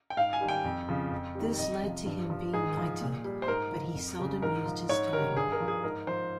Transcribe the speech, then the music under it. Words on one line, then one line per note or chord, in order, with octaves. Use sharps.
This led to him being knighted, but he seldom used his title.
G5
G#2 F5
G#5
D#3 G3
G5
F2
C#3 F3
F2
D#3 G3
F2 D#5
C3 F3
G2
F3
G#2 G#4
F3
A#2
G3
C5
G#2 A#4
F3
F2
C#3 G3
G#2 A#4
F3
G#2 C#5
D#3 G3 A#4
G2 G#4
A#4
F3
G#4
G#2 A#4
F3 C5